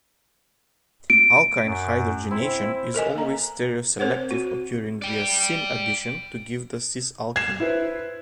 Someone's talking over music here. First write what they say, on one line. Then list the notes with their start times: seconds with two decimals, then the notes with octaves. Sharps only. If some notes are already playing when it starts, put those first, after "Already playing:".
Alkyne hydrogenation is always stereoselective, occurring via syn addition to give the cis-alkene.
1.10 D7
1.66 F#2
2.31 C4 E4
2.94 A4 A#4 D#5 G#5
3.15 A#3 A#5
3.99 C4 A#4 C5 C#5 F#5
4.31 F#4
5.02 D5 G5
7.36 G#6 C7 E7
7.60 E4 B4 C5